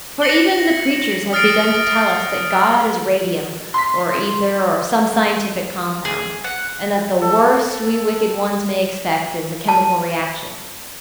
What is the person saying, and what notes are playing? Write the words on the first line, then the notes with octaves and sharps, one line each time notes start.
For, even the preachers have begun to tell us that God is radium, or ether or some scientific compound, and that the worst we wicked ones may expect is a chemical reaction.
A#6 C#7 F#7 G7
D#6 F6 A6 C7 D7
C6 B6
G#4
F#5
A4
A5